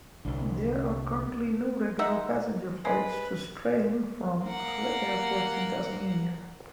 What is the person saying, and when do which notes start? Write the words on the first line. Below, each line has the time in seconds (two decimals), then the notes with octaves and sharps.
There are currently no regular passenger flights to Strahan from other airports in Tasmania.
0.25 C2 D3
1.99 D#4 E5 F#5
2.85 G#3 B4
4.44 A#3 F#5